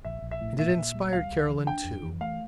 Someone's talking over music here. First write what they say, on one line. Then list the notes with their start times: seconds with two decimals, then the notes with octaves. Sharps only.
And it inspired Carolyn too.
0.05 A#1 E5
0.22 A#1
0.31 E5
0.41 A2
0.59 A#2 E5
0.76 A#2
0.94 G3
1.12 C#2 F5
1.31 C#2
1.49 E3
1.66 D4 G5
1.84 F2
2.02 E3
2.21 A3 F5